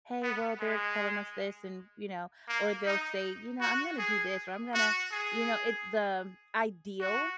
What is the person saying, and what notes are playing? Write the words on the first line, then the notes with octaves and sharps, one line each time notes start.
"Hey, well, they're telling us this," and, you know, or they'll say, you know, "I'm gonna do this or I'm gonna," you know, it the ideal
B3
G#3
A#3
D#4
F#4
G#4
F#4
G#4
F#4